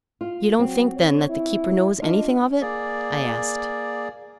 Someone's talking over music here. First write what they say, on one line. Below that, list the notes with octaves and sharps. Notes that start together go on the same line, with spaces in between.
"You don't think, then, that the keeper knows anything of it?" I asked.
F4
F#3 C4
C#5
E4
D4 F4 D#5
A#3 G#4 D5